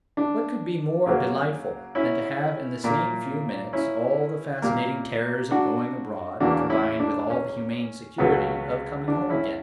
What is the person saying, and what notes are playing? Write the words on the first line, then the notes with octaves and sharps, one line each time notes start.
What could be more delightful than to have in the same few minutes all the fascinating terrors of going abroad combined with all the humane security of coming home again?
D4
F#2 C#3 F#3 A#3
C#4 E4
A#2 A#3
C#4 E4
A#2 G3 A#3
D4 F#4
E2 C#3 E3 A#3 D4 F#4
C#4 E4
D4
C#4
C#2 C#3 F#3 B3
D4
C#4 E4